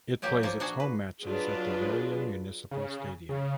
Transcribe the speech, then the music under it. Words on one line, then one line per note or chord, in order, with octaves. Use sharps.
It plays its home matches at the Veria Municipal Stadium.
A#2 F#3 A#3 G4
F3 A#3
D4 F#4 G#4
B4
F#3 D4 F4 G#4 B4
C#3
C#3